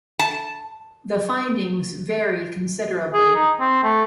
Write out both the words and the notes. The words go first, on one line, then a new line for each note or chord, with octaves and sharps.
The findings vary considerably.
A5
G#4
D#4
C4
A3